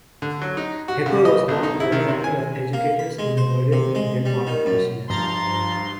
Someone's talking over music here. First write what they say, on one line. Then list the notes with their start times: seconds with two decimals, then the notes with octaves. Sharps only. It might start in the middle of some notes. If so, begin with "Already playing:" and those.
Hecker was born to a family of educators in Werden, then part of Prussia.
0.22 D3
0.42 F#3
0.57 D#4
0.88 F#4
1.06 C#3
1.25 D#5
1.48 B1
1.63 D#4
1.80 E4
1.92 D#3
2.08 C3
2.24 G#5
2.73 A#3
2.99 B5
3.19 G#3
3.37 C5
3.72 C3
3.95 G#3
4.26 G3
4.47 D#3
4.66 F#2
5.10 G2 F3 A#5 C6 A6